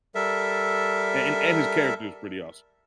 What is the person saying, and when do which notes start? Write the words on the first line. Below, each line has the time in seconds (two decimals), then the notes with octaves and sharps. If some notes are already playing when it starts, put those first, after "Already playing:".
a and and his character is pretty awesome.
0.15 G3 A4 A#4 E5